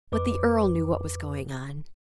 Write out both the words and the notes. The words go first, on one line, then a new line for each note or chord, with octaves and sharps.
But the earl knew what was going on.
F2 B4 D6